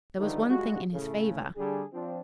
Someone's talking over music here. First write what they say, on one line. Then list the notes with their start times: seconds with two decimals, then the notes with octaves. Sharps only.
There was one thing in his favour.
0.19 D3 D#3 F3 G3 A3 D#4
0.49 G3 G#3 F4 F#4
0.92 A2 C#3 A3
1.56 D3 G3 D4 G#4
1.92 F3 C4 D4